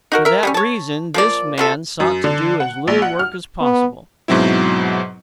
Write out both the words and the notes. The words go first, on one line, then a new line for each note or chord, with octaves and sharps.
For that reason this man sought to do as little work as possible.
D#4 F#4 A#4
A#4 E5
G3 G#3 C#4
C#5 A5
F3 A#3 D5
B2 F4 A4
F#2
D3
F#5
A#1
F#5
F6
B3
G#2 B2 F#3 C4 E4